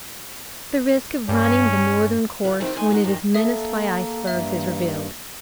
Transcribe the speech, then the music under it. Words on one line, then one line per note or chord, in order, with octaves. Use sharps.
The risk of running the northern course when it is menaced by icebergs is revealed.
G2 C#4
D3 F4 B4
D#3 F3 G3 A3 C4 E4
G#3 A3 D#4 C5 G#5
D3 G3 D#4 F#4 C5
G2 A#2 D#3 D4 D#4
A#3 A4 E5 D#6
G2 E5